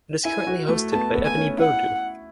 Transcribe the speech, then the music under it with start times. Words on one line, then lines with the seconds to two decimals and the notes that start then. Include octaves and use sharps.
It is currently hosted By Ebony Boadu.
0.24 E4 G#5
0.47 F#4
0.69 A3
0.92 B3 A5
1.14 B3
1.25 G#5
1.36 C#4
1.58 E4 F#5